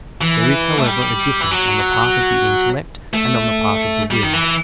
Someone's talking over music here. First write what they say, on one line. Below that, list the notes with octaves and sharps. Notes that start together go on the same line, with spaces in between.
There is however a difference on the part of the intellect and on the part of the will.
E3
A3
G3
E3
F#3
A3
G3
D#3
E3